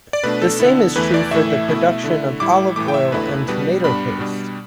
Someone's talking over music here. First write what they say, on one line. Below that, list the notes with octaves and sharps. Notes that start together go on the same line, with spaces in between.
The same is true for the production of olive oil and tomato paste.
D5
B2 A3 D4 B4
A4
D3 B3 E4
E2 E3 A3 E4 B4
D5
A2 E3 A3 E4 E5
B2 A3 E4
D3 A3 E4
A2 G3 E4 D6
A2 E3 A3 E4 D6
G5
E5
E2 D3 A3 E4 B4
B2 G3 D4 B4
G2 G3 B3 D4 B5
B2 G3 D4